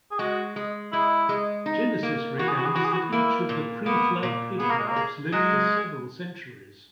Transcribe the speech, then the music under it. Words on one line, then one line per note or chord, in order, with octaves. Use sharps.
Genesis recounts that each of the pre-Flood Patriarchs lived for several centuries.
G#4
G#3 F#4
G#3
G#3 E4
G#3
D#4
A#3
E3 F#4
G#4
F#4
G#4
E3 F#4
G#4
F#4
A#3 E4
A#2
A#3 B3
A#2
B3 G#4
A#3
G#3
A#3
G#4
F#3 G#3